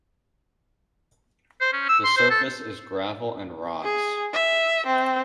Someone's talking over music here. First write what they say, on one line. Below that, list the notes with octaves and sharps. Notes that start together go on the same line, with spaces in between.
The surface is gravel and rocks.
C5
C#4
E6
C6
C5
A4
G#4
E5
C4